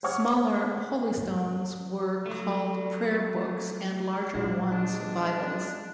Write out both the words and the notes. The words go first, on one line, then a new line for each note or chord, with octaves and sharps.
Smaller holystones were called "prayer books" and larger ones "Bibles".
C5 C#5 F#5 C#6 F6 G#6
F#3 A3
A#2 F#3 D4 E4 F4
G#3 D4